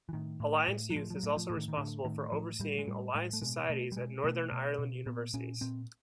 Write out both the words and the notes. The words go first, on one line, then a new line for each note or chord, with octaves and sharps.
Alliance Youth is also responsible for overseeing Alliance Societies at Northern Ireland universities.
E3
A2 D#3
A2
A2
F#3
A2 F3
F3
F#3
A2
F3
A2
D#3
D#3
A2 D3
A2 D#3
A2 F3
A2 G3
G#3
A2 G3
A2 G#3
A3
B2 G#3
B2 A3
G3
B2 G#3
B2 A3
B2
B2
A#2 B3
A#2 C#4
A#2 C4